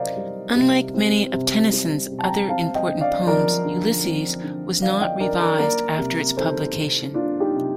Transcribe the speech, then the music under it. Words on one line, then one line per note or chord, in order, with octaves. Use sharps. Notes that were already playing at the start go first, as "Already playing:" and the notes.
Unlike many of Tennyson's other important poems, "Ulysses" was not revised after its publication.
Already playing: C3 C4 A#4 C5 D5 D#5 F5
G3
C3
C4
C3
G3
C3
A5
G5 A#5
C4 F5 A5
D#5 G5
D3
D5 F5
F3 A#4 D5
D3
C4
D3
F3 D5 F5
D#5 G5
D3 A#4 D5
A#4 D5
A#3 A#4 D5
C3
D#3 A4 C5
C3
A#3 D4 F4
D#4 G4
C3